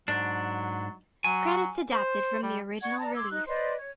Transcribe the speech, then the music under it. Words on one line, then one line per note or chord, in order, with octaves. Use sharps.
Credits adapted from the original release.
G#2 F#3 D4
F#3 G#5
C5
G3
D5 F#5 C#6 G#6
D5 A5 A#5
C6 D6 E6 G#6
D#4 F#6
B4 C5 D5 D#5
C#5